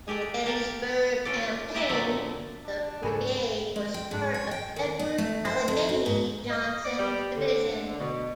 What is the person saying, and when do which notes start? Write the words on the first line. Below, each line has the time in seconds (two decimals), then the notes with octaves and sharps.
In the Gettysburg Campaign, the brigade was part of Edward "Allegheny" Johnson's division.
0.08 G#3 A3 G4 G#4
0.46 G4 A#4 A5 A#5
1.25 C#4 F4 A4 D5
1.74 G4 G#4 A#4 B4 D#5 E5
1.89 A#2 D3 F#3 A3
2.65 D4
3.03 G#2 C#3 F3 G#4 A4 G#5 B5
3.76 G#3
3.94 G5
4.11 G#2
4.34 C#5
4.51 G5
4.76 D#3
4.99 B3
5.18 A3
5.45 C5
5.68 F2
5.89 F#4
6.06 G#2
6.50 D#5
6.84 D5
6.98 G3
7.35 D3
7.99 B2